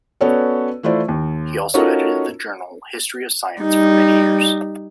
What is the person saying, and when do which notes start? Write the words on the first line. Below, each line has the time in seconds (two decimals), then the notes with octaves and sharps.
He also edited the journal "History of Science" for many years.
0.21 B3 C#4 F#4 A4 C#5 D5
0.83 E3 A3 E4 F4 C5 D5
1.08 D#2
1.74 C#4 D#4 F4 F#4 A4 A#4
3.62 G3 D#4